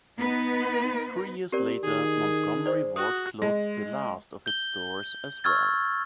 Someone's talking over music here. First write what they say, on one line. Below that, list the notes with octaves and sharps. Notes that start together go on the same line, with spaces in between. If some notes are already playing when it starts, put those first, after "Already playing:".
Three years later, Montgomery Ward closed the last of its stores as well.
B3 D#4 B4
C4 G4 A#4 D5
D#3 G#4
C5 D5
F#4 D#6
G#3
G6 G7
C#6 E6 F6 G#6 A6